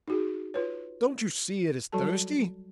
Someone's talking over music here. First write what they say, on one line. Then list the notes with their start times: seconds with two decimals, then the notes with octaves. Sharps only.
Don't you see it is thirsty?
0.08 D#4 F#4 G#4
0.54 F4 B4 C#5
1.92 F#3 G3 F#4 A4 A5